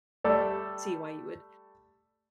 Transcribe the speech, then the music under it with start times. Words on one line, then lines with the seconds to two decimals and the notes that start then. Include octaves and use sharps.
see why you would
0.24 G3 A3 A4 D5